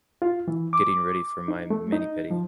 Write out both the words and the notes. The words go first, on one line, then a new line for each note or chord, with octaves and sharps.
Getting ready for my mani-pedi!
F4
E3
D6
D#4
A3
D#4
F3